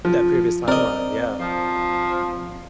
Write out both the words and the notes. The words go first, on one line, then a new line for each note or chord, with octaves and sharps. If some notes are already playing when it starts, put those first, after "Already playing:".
that previous timeline, yeah.
F3
C4 A#4 D5 D#5
F3